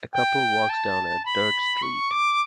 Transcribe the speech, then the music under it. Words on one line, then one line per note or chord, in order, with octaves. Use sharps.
A couple walks down a dirt street.
G5
A5
B5
C#6
D6